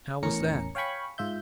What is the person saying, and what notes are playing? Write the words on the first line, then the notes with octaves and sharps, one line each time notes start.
"How was that?"
E2 A2 C#4 A#4 A#5 C#7
C#5 F5 G5 G#5 B5 C#6
G#2 F4 E5 G6